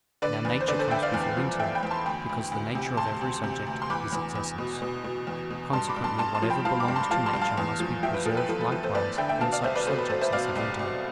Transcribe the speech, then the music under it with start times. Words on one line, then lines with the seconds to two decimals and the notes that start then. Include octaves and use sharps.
Now nature comes before intellect, because the nature of every subject is its essence. Consequently whatever belongs to nature must be preserved likewise in such subjects as have intellect.
0.22 D3 B4 D5
0.45 E2
0.61 C5
0.68 D3 B4 D5
0.79 A4 C5
0.91 D3 E5 G5
1.02 D5 F5
1.14 E2
1.37 F3
1.60 E2 E5 G5
1.75 G5 B5
1.83 E2
1.91 A5 C6
2.06 D2 G5 B5
2.29 D2
2.52 D2
2.75 C3
2.97 D2 A5 C6
3.21 D2
3.44 C3
3.67 D2
3.82 C6
3.90 E2 B5 D6
4.12 E2
4.35 E2
4.58 B2
4.82 B2
5.04 B2
5.27 E2
5.50 B2
5.73 G2 A5 C6
5.89 B5 D6
5.96 G2
6.04 A5 C6
6.19 G2 A5 C6
6.34 A5 C6
6.42 F3
6.50 G5 B5
6.65 F3 F5 A5
6.80 B5 D6
6.88 G2
6.96 A5 C6
7.11 F3 F5 A5
7.26 A5 C6
7.34 G2
7.42 F5 A5
7.58 E2
7.80 F3
8.03 F3 E5 G5
8.14 B4
8.26 F3 A4
8.37 B4
8.49 F3 A4
8.61 A4
8.72 F3 B4
8.83 A4 C5
8.95 E2 B4 D5
9.18 D3 E5 G5
9.29 E5 G5
9.41 B2 F5 A5
9.52 D5 F5
9.64 C2 C5 E5
9.75 B4 D5
9.87 B2 A4 C5
9.99 B4
10.09 B2 A4 C5
10.21 C5 E5
10.32 B2 D5 F5
10.55 C2
10.79 C2